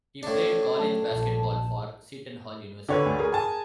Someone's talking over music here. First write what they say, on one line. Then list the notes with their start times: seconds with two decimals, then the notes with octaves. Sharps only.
He played college basketball for Seton Hall University.
0.23 A2 C#4 D4 C#5
0.78 F#3 A3 C#4 A5
1.11 A#1 A#2
2.89 D3 B4 C#5 D5
3.06 D2
3.19 G#4 A#4
3.32 G#5 A5